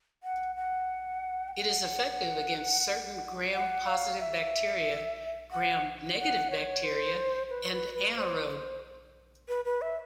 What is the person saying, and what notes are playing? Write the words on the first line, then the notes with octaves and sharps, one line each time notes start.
It is effective against certain gram positive bacteria, gram-negative bacteria, and anaerobe.
F#5
F#5
G5
F#5
F#5
F5
E5
F#5
F#5
C#5
C5
B4
B4
B4
C5
B4
B4
E5